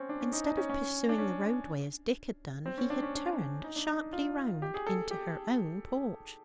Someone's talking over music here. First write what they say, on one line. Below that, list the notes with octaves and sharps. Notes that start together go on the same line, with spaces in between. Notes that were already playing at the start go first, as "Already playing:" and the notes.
Instead of pursuing the roadway as Dick had done he had turned sharply round into her own porch.
Already playing: C4 C#4
D4
C#4
D#4
D#4
C#4
C#4
D4
C#4
C4
C#4
D4
C#4
D4
D#4
D4
D#4
F4
G4
G#4
A4
G4